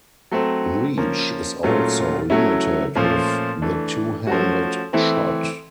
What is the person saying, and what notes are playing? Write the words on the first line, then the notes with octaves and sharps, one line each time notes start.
Reach is also limited with the two-handed shot.
F#3 A3 C4
F3 A#3 C#4
A#2 F#3 A3 C#4 F4
F#3 A3 C#4 E4
A#2 F3 A3 C#4 F4
E3 A3 D4
F3 A3 C#4 F#4
E3 A3 C4 E4